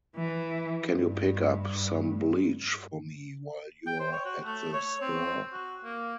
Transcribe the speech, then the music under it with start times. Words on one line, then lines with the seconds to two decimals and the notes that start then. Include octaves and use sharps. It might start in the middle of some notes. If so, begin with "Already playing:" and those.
Can you pick up some bleach for me while you're at the store?
0.16 E3
0.95 G2
3.87 G5
4.00 C5
4.13 C#5
4.25 F#4
4.45 A3
4.74 C#5
5.02 C4
5.53 F#4
5.84 A#3